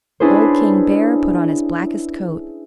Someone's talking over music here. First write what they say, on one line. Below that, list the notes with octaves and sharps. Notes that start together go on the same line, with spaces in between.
Old King Bear put on his blackest coat.
C#4 D4 E4 G#4 B4 C5